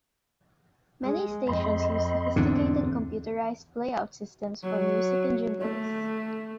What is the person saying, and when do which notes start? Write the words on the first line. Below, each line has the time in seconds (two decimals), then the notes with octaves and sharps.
Many stations use sophisticated computerised playout systems for music and jingles.
1.04 G#3
1.47 F2 D#5 B5 C6
2.36 E2 G#2 D3 C4 D4
4.64 F#3
5.62 A3